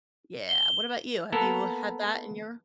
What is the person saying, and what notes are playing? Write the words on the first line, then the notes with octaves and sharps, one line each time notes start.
Yeah, what about you? Have you had that in your
G7
A#3 B3 A4 A#4